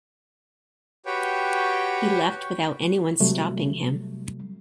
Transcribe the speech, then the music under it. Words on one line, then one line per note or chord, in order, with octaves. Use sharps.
He left without anyone stopping him.
F#4 G4 B4 C#5 G5
C3 F#3 G3 A3